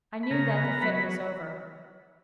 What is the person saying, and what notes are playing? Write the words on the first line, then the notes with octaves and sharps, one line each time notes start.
I knew that the fit was over.
B5
C#3 A#4 A#5
B3
F#3 B4 B5
B4 B5